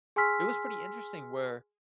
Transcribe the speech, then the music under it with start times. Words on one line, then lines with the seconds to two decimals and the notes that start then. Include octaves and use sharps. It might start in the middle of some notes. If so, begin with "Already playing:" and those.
it was pretty interesting where
0.16 G#4 G#5 C6 E6 F6 B6